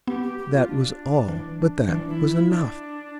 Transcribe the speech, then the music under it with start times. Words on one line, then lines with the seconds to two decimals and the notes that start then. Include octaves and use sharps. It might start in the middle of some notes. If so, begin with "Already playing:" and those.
That was all, but that was enough.
0.07 B3 G4
0.23 G4
0.38 G4
0.53 F4
0.68 D4
1.28 E3
1.89 E3 D4
2.08 E4
2.29 E4
2.49 D4